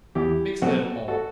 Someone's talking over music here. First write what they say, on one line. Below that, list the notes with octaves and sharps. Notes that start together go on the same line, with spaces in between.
Mix a little more!'
E2 E4 G4
B2 F#3 C4 F#4 A4
F#4 A4